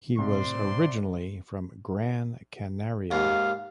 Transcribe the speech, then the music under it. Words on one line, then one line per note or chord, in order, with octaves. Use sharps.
He was originally from Gran Canaria.
C2 A2 C5 D5 C6
D#2 G#2 F5